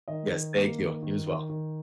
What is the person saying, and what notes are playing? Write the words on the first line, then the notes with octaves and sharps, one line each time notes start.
Yes, thank you. You as well.
D#3 D#5
D#3
A#3
D#3
D#3
D#3
D#3